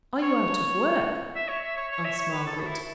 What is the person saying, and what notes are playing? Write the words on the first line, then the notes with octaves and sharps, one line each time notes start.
'Are you out of work?' asked Margaret.
C#5
E5
C#5
E5
C#5
C#5
E5
C#5
B4
A4
F#4
E4